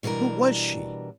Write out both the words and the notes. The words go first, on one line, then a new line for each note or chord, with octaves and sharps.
Who was she?
B2 E3 G3 D4 A#4